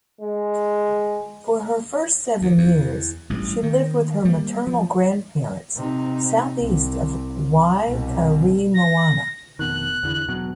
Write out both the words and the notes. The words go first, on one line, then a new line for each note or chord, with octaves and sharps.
For her first seven years she lived with her maternal grandparents southeast of Waikaremoana.
G#3
D#2
E2
A1 G2 G3
D#3
G3 A#3
F3
C3 D#4
C2
C2 B2
A#6
F1 B2 D#3 F#6
E2 D3 E3
E1 B2 F#3